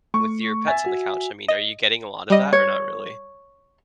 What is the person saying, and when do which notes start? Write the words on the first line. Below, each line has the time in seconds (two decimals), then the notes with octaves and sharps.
with your pets on the couch. I mean, are you getting a lot of that or not really?
0.14 A3 C#6
0.68 E5 G#5 A6
0.86 F#4
1.48 D#5
2.30 G3 D#5
2.53 C#5